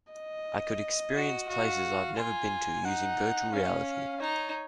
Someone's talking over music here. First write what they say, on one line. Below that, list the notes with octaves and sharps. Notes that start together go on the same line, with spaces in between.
I could experience places I've never been to using virtual reality.
D#5
F#4
F#4 F5
F4 G#5
D#4 F#5
C#4 F5
D#4 C#5